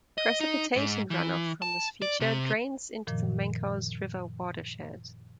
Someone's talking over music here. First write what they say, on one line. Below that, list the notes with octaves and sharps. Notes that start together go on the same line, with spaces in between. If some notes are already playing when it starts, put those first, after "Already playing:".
Precipitation runoff from this feature drains into the Mancos River watershed.
D#5
D#4
G#2
E3
A5
D5
C3
F#2 A#2 D#3 F3